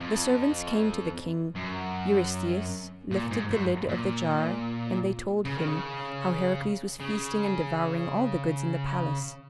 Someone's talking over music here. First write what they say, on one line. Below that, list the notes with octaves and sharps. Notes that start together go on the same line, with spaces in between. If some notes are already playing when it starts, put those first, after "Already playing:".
The servants came to the king; Eurystheus lifted the lid of the jar and they told him how Heracles was feasting and devouring all the goods in the palace.
F2
F#2
A#2
G#2
F#2
A#2
C#3
D#3
C#3
C#3